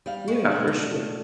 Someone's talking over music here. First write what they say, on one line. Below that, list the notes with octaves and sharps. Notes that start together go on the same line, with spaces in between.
Yeah, for sure.
G3 F5
G#3 F#4
B2 D4
A3